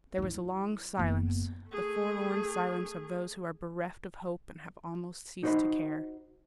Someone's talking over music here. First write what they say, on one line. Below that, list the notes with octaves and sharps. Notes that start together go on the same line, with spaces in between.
There was a long silence, the forlorn silence of those who are bereft of hope and have almost ceased to care.
F#3 E4
F#1 B3
A3 G#4
D#4 F#4 C5 D5 D#5 B5